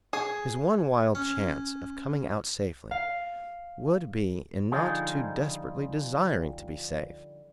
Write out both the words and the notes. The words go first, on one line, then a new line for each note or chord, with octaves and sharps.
His one wild chance of coming out safely would be in not too desperately desiring to be safe.
G#4 C#5
C#4
F5
D3 F3 G3 D#4 F4 G#4